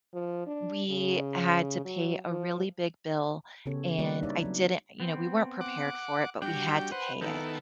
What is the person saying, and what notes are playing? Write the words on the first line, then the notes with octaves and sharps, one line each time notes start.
we had to pay a really big bill and I didn't you know, we weren't prepared for it, but we had to pay it.
F3
D4
C#3
F#3
F3
C#3 B3 C#4 G4 A4 C#5
G3 A#3 F#4 G4 B4 D5
D4 D#4 C#5 D5 E5
F#3 C4
B3 C4
F#5 D6
G3 D4 F#4 G5
B4 C5 F#5
D#3 B3 D#4 E4 A4